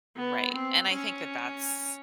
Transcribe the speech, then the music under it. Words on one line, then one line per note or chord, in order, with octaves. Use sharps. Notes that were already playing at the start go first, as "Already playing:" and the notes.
Right, and I think that that's
B3
C4
C#4